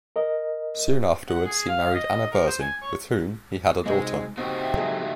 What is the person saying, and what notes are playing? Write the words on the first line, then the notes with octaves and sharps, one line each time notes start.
Soon afterwards he married Anna Berzin, with whom he had a daughter.
A#4 D#5
F#5
G#4
F5
D#5
A#4
C5
G#5
C#5
C3 G#3 D#4 F#4
C4 D#4 F#4 G4 C#6
E5
F#3 G#3 G#4